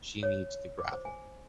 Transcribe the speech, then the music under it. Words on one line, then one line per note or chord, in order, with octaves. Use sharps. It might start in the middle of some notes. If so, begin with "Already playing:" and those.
She needs the gravel.
C#5
D6
C5
G#5